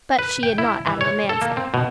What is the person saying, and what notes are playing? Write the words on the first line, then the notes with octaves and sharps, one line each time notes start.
But she had not added the man's name.
B4
G5
E4
E3
C#5
A4
A#3
C4
B2